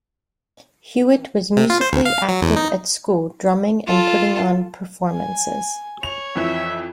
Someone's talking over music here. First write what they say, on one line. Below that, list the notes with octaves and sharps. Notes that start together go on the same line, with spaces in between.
Hewitt was musically active at school, drumming and putting on performances.
C3
F4
C5
D2
F5
F#3
E2
D#4
F4 A4
G#5
C#5 F7
F2 E3 E5